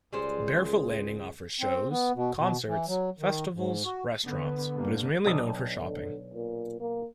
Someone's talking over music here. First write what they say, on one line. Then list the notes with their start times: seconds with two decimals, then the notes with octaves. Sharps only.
Barefoot Landing offers shows, concerts, festivals, restaurants, but is mainly known for shopping.
0.13 C#2 G3 G#3 G#4 C5
1.61 C4
1.90 B3
2.15 B2
2.38 B2
2.68 E3
2.87 F#3
3.19 D#3
3.54 G#2
3.85 F#4
4.25 D3 B3
4.75 G2 D3 G3 A#3
5.26 B1 D4 D#5
5.75 D3
6.34 A#2
6.80 A#3